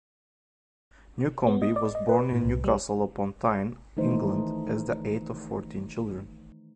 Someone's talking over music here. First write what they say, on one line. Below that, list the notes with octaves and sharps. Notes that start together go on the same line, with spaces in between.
Newcombe was born in Newcastle-upon-Tyne, England, as the eighth of fourteen children.
B3
D#5
D5
D#5
B4
A2
C2
G3
D#3 E3 A3 D#4 C5